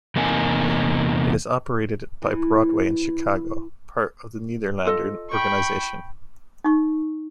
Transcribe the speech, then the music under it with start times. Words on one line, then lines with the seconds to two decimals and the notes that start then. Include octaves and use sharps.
It is operated by Broadway In Chicago, part of the Nederlander Organization.
0.16 E2 C3 A#3 D#4 G#5
2.22 E3
4.85 F4 A4 D#5
5.31 G5 B5 C#6
6.64 D#4 C#6